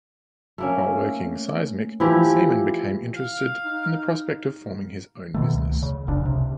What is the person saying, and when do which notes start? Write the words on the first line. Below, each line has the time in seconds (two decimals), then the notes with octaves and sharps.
While working seismic, Seaman became interested in the prospect of forming his own business.
0.58 A3 A#3 C#4
2.00 E3 F3 E4 G4
3.16 F5
3.65 D#4
5.34 B2 D#3 A3
5.54 C#2
5.82 C#3
6.07 F1 A#1 C#3 D4
6.21 C#2 C3